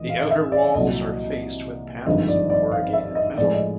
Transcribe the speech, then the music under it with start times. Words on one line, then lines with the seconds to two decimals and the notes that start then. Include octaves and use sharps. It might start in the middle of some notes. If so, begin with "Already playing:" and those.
The outer walls are faced with panels of corrugated metal.
Already playing: A#1 A2 E3 D#5
0.09 F5
0.31 E5
0.52 D5
0.75 C2 A#2 F#3 D#5
2.06 G#1 G2 D3 F3 D#5
2.28 D5
2.50 D5
2.71 F5
2.93 E5
3.15 D#5
3.37 A2 F3 G#3 D5
3.54 D#5